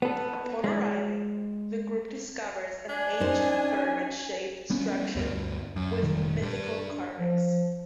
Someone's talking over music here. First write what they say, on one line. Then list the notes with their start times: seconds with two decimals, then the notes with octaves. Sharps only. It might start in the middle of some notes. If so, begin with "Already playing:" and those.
Upon arriving, the group discovers an ancient pyramid shaped structure with mystical carvings.
0.02 B3 A4
0.64 G#3
2.89 D4 G#5
3.20 C#4 D#4 C5 G#5
4.70 G3 B3 C#4
5.15 D2 G2 G3
5.76 F#2
6.02 F1 A#2 D#3 G3
6.42 G2
7.19 F3